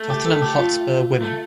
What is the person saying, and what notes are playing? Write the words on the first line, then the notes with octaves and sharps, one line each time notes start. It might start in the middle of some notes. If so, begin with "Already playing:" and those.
Tottenham Hotspur Women.
Already playing: A3
G4
A4
G4
F4
A3